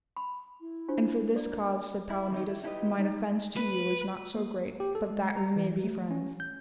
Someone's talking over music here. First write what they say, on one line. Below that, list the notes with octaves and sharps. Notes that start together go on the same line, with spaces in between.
And for this cause, said Palomides: mine offence to you is not so great but that we may be friends.
B5
E4
D4 F4 C5
A#3 D5
E4
F2 D#3 F#3 D#4
E4
D#4 E4 G4 G#4 B4 D#5
G3 D#4
B4
A#3
G4
A4
G#3
A#5
E3
A3
C#4
G6